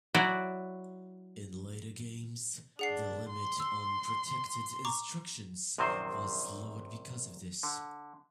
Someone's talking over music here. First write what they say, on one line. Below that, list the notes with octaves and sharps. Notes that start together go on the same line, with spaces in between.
In later games the limit on protected instructions was lowered because of this.
F#3 E4 F#4 D5
D4 G#4 F#5 C7
C6
E6
A#5 C#6 D6
A#1 F#2 C3 D#3 C4 C5
D3